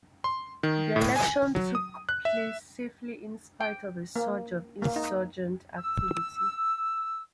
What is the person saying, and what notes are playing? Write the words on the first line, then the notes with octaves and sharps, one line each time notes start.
The election took place safely in spite of a surge of insurgent activity.
C6
D#3
A2
G#5
F#3
D#6
F#6
E5
G5
A#3
A#3
D#4
E6